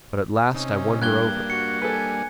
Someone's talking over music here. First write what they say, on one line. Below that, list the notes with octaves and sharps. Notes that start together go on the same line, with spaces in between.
But at last I won her over.
C3 C#4 D#4
G2 G3 A#3 D4 F#6 G#6 G7
F#4 C#7
A4 B4 G#5